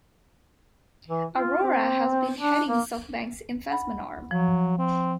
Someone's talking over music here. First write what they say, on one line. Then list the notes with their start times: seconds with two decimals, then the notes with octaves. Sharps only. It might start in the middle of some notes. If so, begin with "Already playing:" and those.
Arora has been heading SoftBank's investment arm.
1.08 E3
1.36 F4
1.63 C4
2.38 D4
2.68 A#3
3.70 F#5 B5
4.31 F3 F#3
4.79 C4